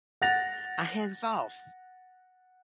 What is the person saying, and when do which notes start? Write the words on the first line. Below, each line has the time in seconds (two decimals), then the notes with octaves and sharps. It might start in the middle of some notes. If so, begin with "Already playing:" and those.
A Hands Off!
0.22 F#5 F#6 A6 A#6 F7